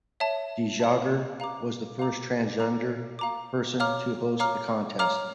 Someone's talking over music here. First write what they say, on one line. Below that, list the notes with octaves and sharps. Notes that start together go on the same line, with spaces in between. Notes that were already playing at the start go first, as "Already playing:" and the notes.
De Jager was the first transgender person to host the contest.
C#5 E5 A5
C#5 E5 A5
F5 A#5 D6
F5 A#5 D6
F5 A#5 D6
F5 A#5 D6
C#5 F5 A#5 D6 F6
C#5 F5 A#5 D6 F6
C#5 F5 A#5 D6 F6